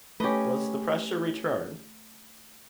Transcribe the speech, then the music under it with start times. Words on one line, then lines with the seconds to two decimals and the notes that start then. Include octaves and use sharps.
Was the pressure returned?
0.20 A3 C#4 G4 B4 D#5